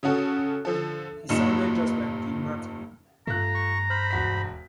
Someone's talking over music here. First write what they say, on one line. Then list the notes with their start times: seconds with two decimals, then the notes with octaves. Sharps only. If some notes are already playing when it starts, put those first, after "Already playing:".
He sounded just like Dean Martin.
0.03 C#3 C#4 F#4 A4
0.65 D3 F3 A4
1.29 F1 G2 A#2 D#4 C#7 E7
3.27 G2 A3 F4 A#5 F#6
3.55 C#6
3.90 C5 B5 F6
4.11 E1 F#4 B6